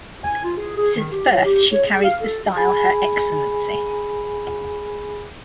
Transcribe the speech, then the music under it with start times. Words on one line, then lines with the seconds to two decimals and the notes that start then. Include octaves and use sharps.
Since birth she carries the style "Her Excellency".
0.24 G#5
0.44 F4
0.58 G#4
0.77 G#4
0.96 D#3
1.12 G4
1.31 F#3
1.44 G4
1.72 C#5
1.86 G#4
2.03 F5
2.21 A4
2.56 G#4 G#5 B5